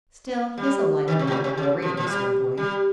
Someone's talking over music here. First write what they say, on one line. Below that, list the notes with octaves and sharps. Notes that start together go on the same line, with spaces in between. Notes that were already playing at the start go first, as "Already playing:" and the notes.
"Still, he's a likable, agreeable sort of boy."
G3
D#3
C3
G#2
A#2
C3
C#3
F3
F3
G3
G3